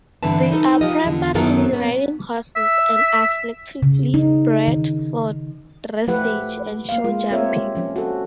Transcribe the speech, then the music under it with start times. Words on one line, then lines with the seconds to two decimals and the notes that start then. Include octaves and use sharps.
They are primarily riding horses, and are selectively bred for dressage and show jumping.
0.23 G2 D3 E3 C4 B4 A5
0.52 D#4 A4 B4
0.81 F3 F4 G4 D#5
1.05 E2 D3
1.35 F#2 D#3 B3 A4 A#4
1.72 B2 B3 C#4
2.56 E5
3.82 C#3
4.14 D#4
4.68 D#3
6.08 F3 A3 E4 G4 B4 F#5
6.89 A#3 F5
7.04 G#3 F4
7.31 C4 F4 G4 A#4 C#5 E5
7.75 F3 C#4
7.96 F#4 A4